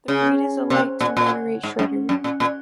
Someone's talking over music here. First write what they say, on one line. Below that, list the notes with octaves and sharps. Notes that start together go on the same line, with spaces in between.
The breed is a light to moderate shedder.
C#3
C3
A#2
A#2
G#2
F#2
F#2
A#2
A#2